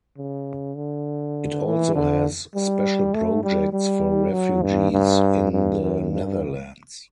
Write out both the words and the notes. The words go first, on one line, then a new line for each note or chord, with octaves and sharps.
It also has special projects for refugees in the Netherlands.
C#3
D3
E3
D3
G3
A3
G3
G3
F#3
G2
G2
G2
F#2
G2